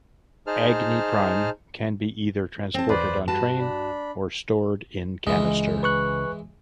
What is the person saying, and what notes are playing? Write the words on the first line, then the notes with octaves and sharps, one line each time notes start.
Agni Prime can be either transported on train or stored in canister.
D#4 G#4 C5 A5 F6
C4 A5
E2 B4 C5 D5
G2 F#4 B4 A5
D4 B5
C#2 E3 G#3 D#5
B4 C#6 F#6